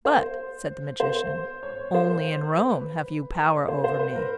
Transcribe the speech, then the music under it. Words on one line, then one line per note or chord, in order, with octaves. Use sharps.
"But," said the magician, "only in Rome have you power over me."
C5
C5
C#5
C5
B4
C#5
C5
C5
B4
A#4